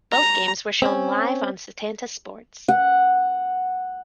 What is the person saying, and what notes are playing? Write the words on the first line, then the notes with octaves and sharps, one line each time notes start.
Both games were shown live on Setanta Sports.
A#5
C4 C#4
F#5